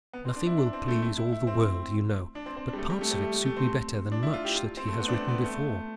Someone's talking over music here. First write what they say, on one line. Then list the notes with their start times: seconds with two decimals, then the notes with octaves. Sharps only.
Nothing will please all the world, you know; but parts of it suit me better than much that he has written before.
0.13 B3
0.25 C4
0.36 D4
0.47 E4
0.58 D4
0.73 C4
0.88 A3
1.02 E4
1.17 E4
1.32 E4
1.47 C4
2.35 D4
2.46 C4
2.57 C4
2.68 D4
2.73 G3
2.78 A3
2.90 G3
3.01 A3
3.11 G3
3.22 A3
3.34 A3
3.45 A3
3.57 C4
4.12 D4
4.23 E4
4.33 F4
4.45 G4
4.55 F4
4.77 C4
4.88 A3
5.00 B3
5.08 D4
5.13 C4
5.28 B3
5.44 A3